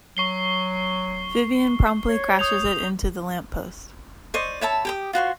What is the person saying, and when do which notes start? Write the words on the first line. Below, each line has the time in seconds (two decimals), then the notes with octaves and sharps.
Vyvyan promptly crashes it into the lamppost.
0.17 F#3 C#6 C7 G7
2.09 C#5
2.39 D#6 G6 F7
4.34 C5 D5 D#5 C#6
4.61 C#5 E5 A5 B5
4.85 G4 G5 D#6
5.13 F4 F#4 C5 C#6